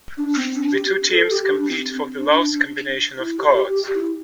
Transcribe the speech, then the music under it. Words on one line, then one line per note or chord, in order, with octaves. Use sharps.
The two teams compete for the lowest combination of cards.
D4
C4
D4
G4
G4
A4
G4
D4
C4
C4
D4
E4
G4
G4
G4
E4